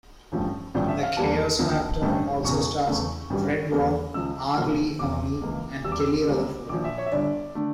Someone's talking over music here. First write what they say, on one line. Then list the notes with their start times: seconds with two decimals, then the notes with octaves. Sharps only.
"The Chaos Factor" also stars Fred Ward, R. Lee Ermey, and Kelly Rutherford.
0.32 A1 G2 F3 A3
0.75 A1 G2 D3 F3 A3 D5
0.88 E5
1.03 F5
1.17 E2 E3 G3 A#3 A5
1.59 D2 D3 F3 A#3
2.02 A1 G2 D3 A3
2.44 E1 E2 C#3 C#6
2.87 E2 C#3 E3 A3
3.30 A1 G2 E3 G3
3.71 E2 E3 G3 A#3
4.14 C#2 C#3 F3 E6
4.57 E1 E2 C#3 F3 A#3
4.99 E1 E2 C#3 D6
5.41 C#2 C#3 E3 A#3
5.84 E2 E3 G3 E6
5.92 D6
6.00 E6
6.27 C#2 C#3 G3 A#3
6.69 A#1 A#2 F3 D6
6.84 E5
6.98 C#5
7.06 E5
7.12 G1 G2 D3 D5
7.55 D3 A3